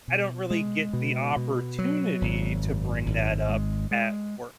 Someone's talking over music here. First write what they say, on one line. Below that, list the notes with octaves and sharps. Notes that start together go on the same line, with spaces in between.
I don't really get the opportunity to bring that up at work.
B2
G#3
B2
B2
F#3
G#1
F#2
G#1
G#3
G#3